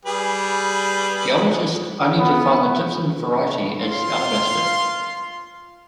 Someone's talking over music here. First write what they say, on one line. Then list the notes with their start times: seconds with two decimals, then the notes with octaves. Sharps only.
Geologists only define the gypsum variety as alabaster.
0.05 G3 G#4 B4
2.19 B3
3.81 F4 F5 C6